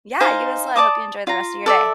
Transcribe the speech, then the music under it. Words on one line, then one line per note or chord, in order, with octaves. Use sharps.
Yeah, you as well. I hope you enjoy the rest of your day.
D#4 C5 F5 G#5
D5 A5 D6 D#6
F4 A#5
A4 D5 E5